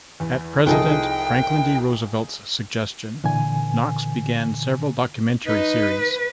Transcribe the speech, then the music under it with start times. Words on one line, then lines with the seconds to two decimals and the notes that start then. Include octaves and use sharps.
At President Franklin D. Roosevelt's suggestion, Knox began several documentary series.
0.20 E2
0.67 C2 F3 D#4 G#4 A4 D#5 G5
3.24 A#2 D3 E3 G#5
5.47 D#4 B4